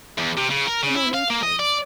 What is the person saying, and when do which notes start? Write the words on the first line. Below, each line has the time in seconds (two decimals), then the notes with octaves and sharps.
The morning came.
0.18 E2
0.37 C3
0.50 C#3
0.67 A#4
0.83 C#3
0.96 E4
1.14 F5
1.30 A#3
1.43 D#5
1.59 D5